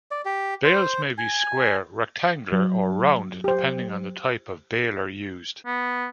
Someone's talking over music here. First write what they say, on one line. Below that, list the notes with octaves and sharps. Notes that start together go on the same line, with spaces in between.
Bales may be square, rectangular, or round, depending on the type of baler used.
D5
G4
C5
G#5
F#3
G4 C5
B3